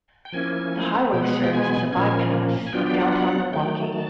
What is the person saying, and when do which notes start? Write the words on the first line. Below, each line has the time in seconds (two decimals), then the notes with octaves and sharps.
The highway serves as a bypass of downtown Milwaukee.
0.25 G5
0.32 F3 A#3 C#4 E4 G#5
1.13 B2 G#3 B3 G5
1.23 F#5
1.33 F#5
1.43 G5
1.53 G#5
1.92 A#2 F3 A#3 C#4 G#5
2.67 G#5
2.73 F#3 B3 D4 F4 G5
2.86 G5
3.00 F#5
3.13 F#5
3.52 D#3 F#3 A3 G5
3.92 A5